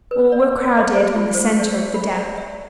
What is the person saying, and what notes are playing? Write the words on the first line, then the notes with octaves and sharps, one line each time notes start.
All were crowded on the centre of the deck.
B4
D5
D#5
C5
F4
C5
D5
B5
D5
E5